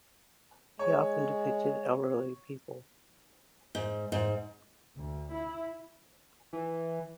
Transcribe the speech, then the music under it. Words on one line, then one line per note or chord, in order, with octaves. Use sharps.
He often depicted elderly people.
G#3 C#5
G#2
G#2
D2
E4
E3